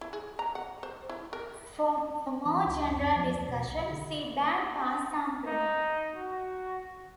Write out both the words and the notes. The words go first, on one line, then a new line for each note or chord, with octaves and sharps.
For a more general discussion, see bandpass sampling.
E4
G#4
A#5
F#5
C5
E4
A#4
E3
C#2
F2
F3
D#2
B2
B1
D3
D#4
F#4